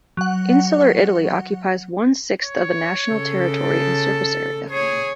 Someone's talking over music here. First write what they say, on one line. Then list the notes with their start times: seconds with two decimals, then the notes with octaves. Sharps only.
Insular Italy occupies one-sixth of the national territory in surface area.
0.17 F#3 F#5
2.43 C#5
3.12 C#3 A4
3.65 A5
4.70 G#4 C#5